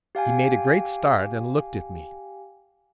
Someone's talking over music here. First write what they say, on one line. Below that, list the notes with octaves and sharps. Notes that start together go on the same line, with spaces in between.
He made a great start and looked at me.
G4 F5 G5 G#5